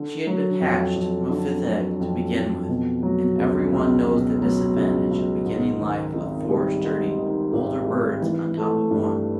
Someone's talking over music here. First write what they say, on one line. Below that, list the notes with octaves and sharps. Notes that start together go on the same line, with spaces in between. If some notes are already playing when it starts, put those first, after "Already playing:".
She had been hatched from a fifth egg to begin with; and every one knows the disadvantage of beginning life with four sturdy older birds on top of one.
Already playing: D3
F#3
F2
F2
D3
F#3
F2
F2
B2
F#3
C#2
C#2
B2
F#3
C#2
C#2
G#2
D#3
G#1
G3
G#2
D#3
G#1
G3
E3
A3
G2